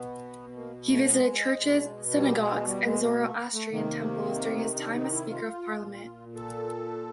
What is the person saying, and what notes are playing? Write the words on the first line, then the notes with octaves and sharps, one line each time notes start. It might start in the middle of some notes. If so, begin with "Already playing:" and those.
He visited churches, synagogues and Zoroastrian temples during his time as speaker of Parliament.
Already playing: B2 B3
A#3
A3
G#3
B2
G3
G#3
G3
G#3
A3
A3
A3
C3 D#3 A#3
D#4
D4
D#4
E4
F4
A#2
A4